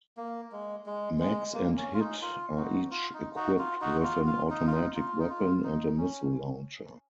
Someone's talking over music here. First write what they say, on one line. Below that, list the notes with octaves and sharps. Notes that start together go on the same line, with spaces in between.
Max and Hit are each equipped with an automatic weapon and a missile launcher.
A#3
G#3
G#3
G#3
A#3
C#4
F4
D#4
F4
D#4 F#4
F4
D#4
D#4 F#4
F4
D#4 F#4
F4
F4
D#4
F4
D#4
F4
D#4
F4
D#4
C#4